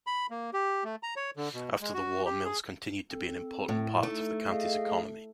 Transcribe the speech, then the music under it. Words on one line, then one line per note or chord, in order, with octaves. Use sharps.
After the war mills continued to be an important part of the county's economy.
B5
A#3
G4
A3
A#5
C#5
D3
B2
G#3
F#4
G4
G#4
C4 A4
A2
A3 D#4 A4
G#4 D#5 F5